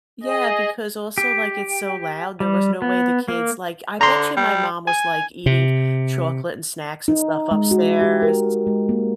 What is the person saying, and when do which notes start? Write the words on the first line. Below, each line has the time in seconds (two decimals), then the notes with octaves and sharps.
Yeah, because also like, it's so loud there was no way the kids like I bet you my mom was, like, eating chocolate and snacks and stuff upstairs
0.23 G#4 D#5
1.18 G4
2.40 G3
2.82 B3
3.28 A#3
4.01 D3 A#5 C6
4.37 G3
4.87 G#5
5.46 C3
7.08 D#4
7.51 G#3
7.71 F#4
8.02 G4
8.23 A#4
8.67 G#3
8.89 A#3